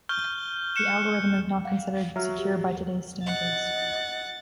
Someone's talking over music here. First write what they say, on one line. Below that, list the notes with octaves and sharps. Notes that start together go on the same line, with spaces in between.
The algorithm is not considered secure by today's standards.
C#6 F6 G6 G7
F#6 C#7 E7
F5 F#5
F#3 F#4 E5 A#5 F6
G4
D#5 F#5 A6